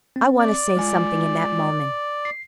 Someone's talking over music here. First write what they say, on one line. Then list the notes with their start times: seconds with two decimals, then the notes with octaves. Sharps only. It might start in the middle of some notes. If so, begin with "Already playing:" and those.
I want to say something in that moment.
0.16 C4
0.39 D5
0.77 G#3 F4 G#5
2.25 C7